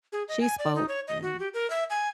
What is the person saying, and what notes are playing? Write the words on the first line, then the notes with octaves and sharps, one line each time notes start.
she spoke and
G#4
D#5
G#5
D5
D#4
C#5
D#5
F#4
G4
A#4
E5
G#5